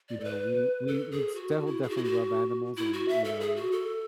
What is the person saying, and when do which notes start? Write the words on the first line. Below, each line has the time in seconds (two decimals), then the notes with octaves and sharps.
you know, we we we'd still definitely love animals and, you know,
0.09 D5
0.20 A4
0.24 B4
0.87 A4
1.11 G#4
1.35 F#4
1.51 F#4
1.66 E4
1.83 G#4
1.90 F#4
1.97 E4
2.04 F#4
2.77 E4
2.93 F#4
3.08 E5
3.24 A4
3.40 G#4
3.56 F#4
3.72 A4